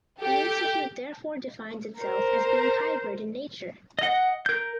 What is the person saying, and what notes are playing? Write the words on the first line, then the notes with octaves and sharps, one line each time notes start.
The institute therefore defines itself as being hybrid in nature.
G4 A4 G5
A#4 C5
D#5 F#5
A#4 G6